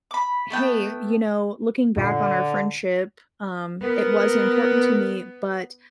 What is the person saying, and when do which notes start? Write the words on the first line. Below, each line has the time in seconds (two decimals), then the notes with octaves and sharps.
"Hey, you know, looking back on our friendship, um, it was important to me but
0.11 B5 D6
0.50 A3 B3 G5
1.97 F#2 A#2 D3 C7
3.82 B3 A#4